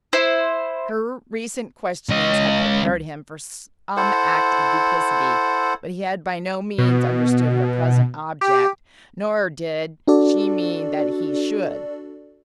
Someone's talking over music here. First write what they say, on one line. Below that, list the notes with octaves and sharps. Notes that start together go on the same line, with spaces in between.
Her recent questionings had prepared him for some act of duplicity, but he had by no means understood her present object, nor did she mean that he should.
E4 C5
C#2 D#5
E4 A4 C5 F#5
B2
G4
D4 F#4 A4 D5